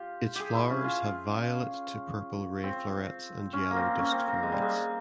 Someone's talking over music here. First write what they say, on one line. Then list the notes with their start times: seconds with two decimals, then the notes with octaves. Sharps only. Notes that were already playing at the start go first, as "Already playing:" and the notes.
Its flowers have violet to purple ray florets and yellow disk florets.
Already playing: F4 G4
0.36 G4 G#4
0.55 E4
0.70 C#4
0.84 F4
2.64 C4
3.53 C#4
3.71 A#3
3.76 C4
3.98 C#4
4.12 C4
4.28 A#3
4.43 G#3
4.52 G3
4.62 G#3